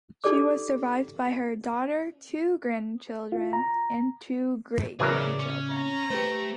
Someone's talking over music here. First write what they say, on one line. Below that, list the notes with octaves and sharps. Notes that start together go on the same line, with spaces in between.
She was survived by her daughter, two grandchildren and two great-grandchildren.
D#4 G4 A4 D5 D6
F4
A#5
A2 C#3 E3 F#3 G#4 A#4 D5 F5
C#4
A#5
A3 G4 B4 C5